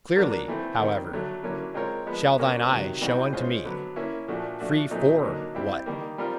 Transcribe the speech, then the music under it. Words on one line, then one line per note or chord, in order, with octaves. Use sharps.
Clearly, however, shall thine eye show unto me: free FOR WHAT?
F#3 A#3 D4 F#4 A#4
E3 A3 C4
D#3 G3 C4
D3 F#3 A3
D3 F#3 A#3 C#4 E4
G#3 C4 F4 A#4 C#5
F3 G#3 B3
A#3 C#4 F#4 A#4
C3 D#3 F#3
E3 G3 C4 D#4 F#4
G#3 C#4 F4 G#4 C5
D3 F#3 B3
A#3 C#4 E4
A#2 F3 A3 D4 F#4
F3 A3 D4 F#4
A#2 F#3 A3 C4 D#4
D3 F#3 A#3 D#4
G3 C4 E4
D#3 G3 A#3
G3 C4 F4 A#4